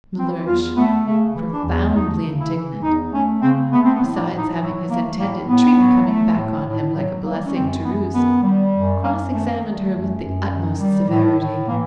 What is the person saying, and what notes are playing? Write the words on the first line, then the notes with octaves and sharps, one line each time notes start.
Mellersh, profoundly indignant, besides having his intended treat coming back on him like a blessing to roost, cross-examined her with the utmost severity.
E3 C4
E2 F4
A3 B3
C#3 A3
E3
D4
E2
A3 D#4
C#3
E4
E3
E2 D#4
A3 C#4
C#3 C4
A3 B3
C4
B3
A2
D4
A2
D#4
F#3 E4
A3 A#3
A2 A#3
A2 B3
F#3
A3
A2
A2
F#3
G3 A#3
C#4
F#2 C4
F#2 B3
D#3 B3
G3
F#2
F#2 A#3
D#3 A3
G3 A3
F#2
F#2
D#3
G3
A2
A2
E3 A#3